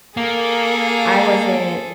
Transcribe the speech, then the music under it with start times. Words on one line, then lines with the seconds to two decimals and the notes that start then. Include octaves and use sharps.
I wasn't
0.17 A#3 G#4 A4